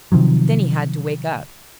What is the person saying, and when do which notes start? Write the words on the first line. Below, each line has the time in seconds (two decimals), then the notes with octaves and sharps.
Then he had to wake up.
0.12 C3 D#3 F3 F#3